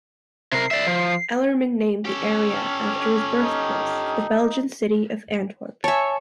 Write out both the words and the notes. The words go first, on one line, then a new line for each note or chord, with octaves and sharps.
Ellerman named the area after his birthplace, the Belgian city of Antwerp.
C3 A#4 C7
D5 E5
F3
C#4 G4 A4
D#4
C#5 E5 G#5 A5